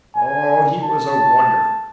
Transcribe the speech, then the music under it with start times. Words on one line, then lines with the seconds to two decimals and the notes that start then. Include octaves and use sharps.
Oh, he was a wonder!
0.16 G#5
0.83 A5